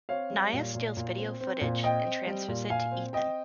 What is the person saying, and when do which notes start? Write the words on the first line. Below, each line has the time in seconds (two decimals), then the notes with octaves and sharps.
Nyah steals video footage and transfers it to Ethan.
0.09 C4 C#5 F5
0.31 G3
0.53 A#2
0.75 A#2
0.97 A#2
1.18 C4
1.40 C4
1.61 A#2
1.83 C4 D#5 G5
2.05 C4
2.27 G3
2.48 A#2
2.70 A#2 F5 G#5
2.91 C4
3.13 C4 D#5 G5